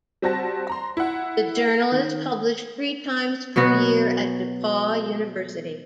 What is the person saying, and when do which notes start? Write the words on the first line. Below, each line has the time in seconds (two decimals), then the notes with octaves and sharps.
The journal is published three times per year at DePauw University.
0.22 G3 C4 F#4 A5 A#6
0.69 A#5 C6
0.97 E4 F#5
1.92 D#3
3.56 B2 F#3 B3 F#4